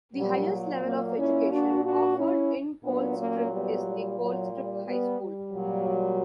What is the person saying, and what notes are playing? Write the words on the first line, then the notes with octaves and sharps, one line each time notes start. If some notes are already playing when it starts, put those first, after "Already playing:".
The highest level of education offered in Colstrip is the Colstrip High School.
A#2 F#3 G3
F#3 A#3
C#4 E4
D4 F#4
D4 F#4
C#4 E4
A#2 F#3 B3 D4
A#3 C#4
G3 B3
G3
F#3
G3
G3 B3
G3
A#2 F#3